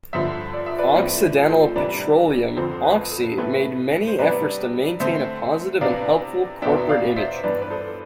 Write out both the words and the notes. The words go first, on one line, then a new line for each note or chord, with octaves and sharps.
Occidental Petroleum, Oxy, made many efforts to maintain a positive and helpful corporate image.
G2 D3 F3 C5 E5
D5
E5
B4 D5
A2 F3 A3 C4 B4 D5
A4 C5
C3 E3 G3 D4 B4 D5
F2 D3 F3 C4 A4 C5
B4
A4
A2 E3 A3 B4
C5
C3 G3 B3 D4 B4 D5
D3 A3 C4 C5 E5
C3 E3 B3 D4 D5 F5
E2 B2 B3 D4 E5 G5
E5
D5 F5
C5 E5
C5
G2 E3 B3 D4 B4 D5
B4
A4 C5